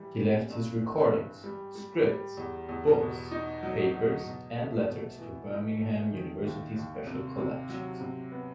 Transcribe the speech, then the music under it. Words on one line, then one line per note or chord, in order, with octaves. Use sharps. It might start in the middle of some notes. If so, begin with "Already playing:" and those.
He left his recordings, scripts, books, papers and letters to Birmingham University Special Collections.
Already playing: E3 G3
C4
G2
E3
G2
G3
G3
G3
E2
E2
B2
D#4
F#3
F#3
B2
A3
B2
E3
D#4
A3
D#3
D#2
D#2
C3
C3
F#3
C3
B3